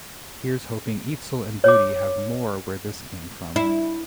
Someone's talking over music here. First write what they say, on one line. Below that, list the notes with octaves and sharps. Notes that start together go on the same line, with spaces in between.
Here's hoping Eitzel and Vudi have more where this came from.
C#5 D6
E4